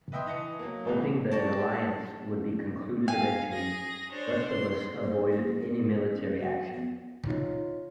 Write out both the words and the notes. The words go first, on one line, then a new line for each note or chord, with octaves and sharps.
Hoping that an alliance would be concluded eventually, Gustavus avoided any military action.
B4 D#5 E5 G5 C6 D#6
E3 D#5 A5 C#7
F#3 A#3
C2 A2 E3 G#3 A3
D4 F#4 G4 A5
F5 G#5
G#4 A#6
D4 C5 C#5
C6
C5
A#3
A#4
C#4
F#4
B3
D#4 F4 C#5